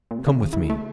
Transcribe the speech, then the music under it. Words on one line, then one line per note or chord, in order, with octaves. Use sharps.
Come with me.'
A#2
C3
C#3
D3
D#3
E3
G#3
A3